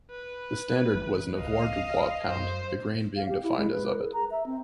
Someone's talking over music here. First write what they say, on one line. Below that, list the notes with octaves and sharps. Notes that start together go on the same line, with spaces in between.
The standard was an avoirdupois pound, the grain being defined as of it.
B4
G1 E2
E1 C#2 D#5 F5
F#2 C5
F5
G4
E4
G#3
B4
A#4
G#4
A#5
E5
C4